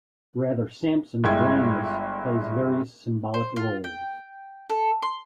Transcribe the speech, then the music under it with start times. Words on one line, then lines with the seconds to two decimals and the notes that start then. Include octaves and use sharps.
Rather, Samson's blindness plays various symbolic roles.
1.24 G1 G3 G#3 E4 G#6
3.34 C5
3.56 F4
3.84 G5
4.70 A4
5.02 C6